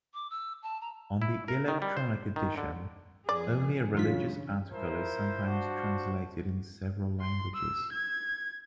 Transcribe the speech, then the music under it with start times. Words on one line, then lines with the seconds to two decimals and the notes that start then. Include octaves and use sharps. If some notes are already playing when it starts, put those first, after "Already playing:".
On the electronic edition, only a religious article is sometimes translated in several languages.
0.14 D6
0.30 E6
0.63 A5
0.81 A#5
1.22 E4
1.48 A#4
1.68 D#3
1.82 G3
1.97 C5
2.36 D#3
2.57 D3
3.29 F2 G#4 D5
3.95 F#2 C#3 E3 D4 F4 B6
4.71 F3 E4 A#4 C5
5.45 D4 F#4
7.21 C6
7.55 E6
7.93 G#6